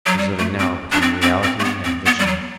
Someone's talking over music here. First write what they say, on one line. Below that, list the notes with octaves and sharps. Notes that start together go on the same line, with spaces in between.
She was living now between reality and a vision.
F#3
G3
A3
C4
D4
C4
C4
C4
A3
B3
C4
B3
G3
F#3